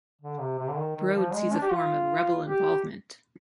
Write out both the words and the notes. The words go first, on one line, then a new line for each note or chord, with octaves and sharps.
Brode sees a form of rebel involvement.
D3
C3
C3
D3
D#3
D#3
F3
G#3
D4
G4
F4
G4